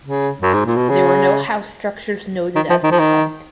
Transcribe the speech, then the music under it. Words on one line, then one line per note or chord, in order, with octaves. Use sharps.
There were no house structures noted at the site.
C#3
F#2
G#2
A#2
B2
C#3
D#3
F3
D#3
F3
D#3